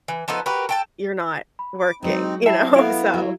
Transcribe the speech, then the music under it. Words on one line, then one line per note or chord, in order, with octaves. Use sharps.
you're not working. You know? So,
E3
F3 B3 D#4 A4
F#4 G4 A#4 B4
A4 G5 A5
B5
D6
F#3 G#3 C4 D#4
E4 E5 G5 A5 C7
B3 E4 A4 E5 F5 D7
F#3